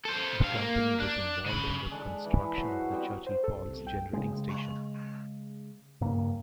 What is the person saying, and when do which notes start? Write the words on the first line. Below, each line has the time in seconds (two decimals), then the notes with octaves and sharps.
The company was involved in the construction of the Churchill Falls Generating Station.
0.05 A4 C5
0.42 G2 F5
0.56 A#3
1.00 D4
1.46 C#3 B5
1.91 G#3 D4 G#4 A4
2.24 E3 E4
2.55 F#3 C5 E5
2.67 F#4
2.92 G3 B3 C4
3.27 C5
3.44 A4
3.55 C2
3.68 C2
3.87 G5
4.13 C#3 G#3
6.01 G2 C#3 A#3